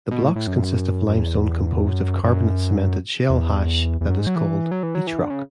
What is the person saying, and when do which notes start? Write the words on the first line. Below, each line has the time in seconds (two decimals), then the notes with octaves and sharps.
The blocks consist of limestone composed of carbonate-cemented shell hash that is called "beachrock".
0.11 B2
0.23 A2
0.36 A2
0.47 F#2
1.08 F#2
1.17 E2
1.88 F#2
2.24 F#2
3.30 E2
4.01 E2
4.10 F#2
4.19 G#2
4.27 F#3
4.36 E3
4.72 F#3
4.83 E3
4.95 F#3
5.07 E3
5.19 D3
5.30 C#3